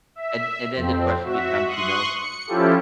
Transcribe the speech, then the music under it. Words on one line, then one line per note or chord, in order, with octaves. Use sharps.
and and then the question becomes, you know,
E5
F2 C4
F#4 E5
C6 C#6 D#6 F#6
C#7
F3 C#4 E4 F4 G4 A4